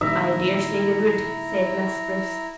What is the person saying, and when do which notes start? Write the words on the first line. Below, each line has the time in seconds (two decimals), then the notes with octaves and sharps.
"I dare say they would," said Miss Spruce.
0.01 A#2 D#3 G3 E4 E5 A#5